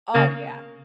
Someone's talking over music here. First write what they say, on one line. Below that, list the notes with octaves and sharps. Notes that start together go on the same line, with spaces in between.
Oh, yeah.
C#3 A#3